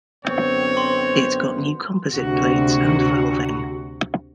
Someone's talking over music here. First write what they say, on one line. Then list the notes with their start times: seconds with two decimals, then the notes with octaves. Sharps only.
It got new composite plates and valving.
0.25 F#2 D3 B3 C4 C#5
0.77 C6
2.13 D2 C3 F#4